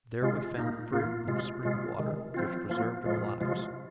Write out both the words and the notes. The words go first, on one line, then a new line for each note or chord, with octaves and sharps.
There we found fruit and spring water, which preserved our lives.
C3 G#3 F4
A#2 A#3 D#4
A#2 A#3 F4
C3 G#3 F4
C3 G#3 F4
C3 D#3 G#3
F3 C4 F4
F3 A#3 F4
A#2 F3 G#3 F4
C3 F3 G#3 F4